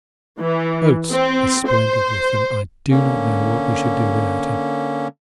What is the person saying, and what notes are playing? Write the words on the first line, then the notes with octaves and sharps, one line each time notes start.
Oates is splendid with them--I do not know what we should do without him.
E3
C4
C5
D3 A#3 C#4